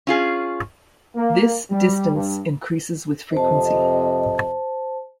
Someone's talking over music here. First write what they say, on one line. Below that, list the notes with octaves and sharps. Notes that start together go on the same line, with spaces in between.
This distance increases with frequency.
C#4 F4 G#4
A#3
G3
G2
F2 C3 C5 D#5 A5